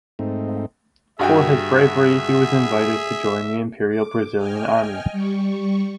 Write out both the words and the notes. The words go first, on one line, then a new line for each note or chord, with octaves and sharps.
For his bravery he was invited to join the Imperial Brazilian Army.
G#2 A3 C4 D#4
G2 F#4 G#4 E5 G5
D6
D#5 G5 G#5 F6
G3 C#6